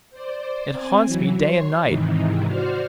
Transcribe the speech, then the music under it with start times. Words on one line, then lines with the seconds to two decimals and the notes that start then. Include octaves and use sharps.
It haunts me day and night.
0.10 C5 D5
0.70 C4 G#5
1.05 E3 F#3
1.41 C#5 C6
1.83 G#2 C3 D#3 E3
2.46 F#4 C5 D5 F6